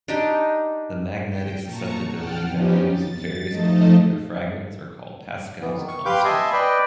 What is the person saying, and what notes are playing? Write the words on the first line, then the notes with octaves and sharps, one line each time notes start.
The magnetic susceptibility values of various molecular fragments are called Pascal's constants.
D4 D#4 G4
G5
A#2 A5 A#5 C#6 C#7
F#5 G5 A5 F6
F3 B3 C#4 D#4 G4
A6
F3 A3 D#4 A4 D#5
E3 B3
D#3
C#6
G4 B4 F5 C6 D6 G6
D#5 E5 G#5 A5 B5 C6
B4 D5 D#5 G5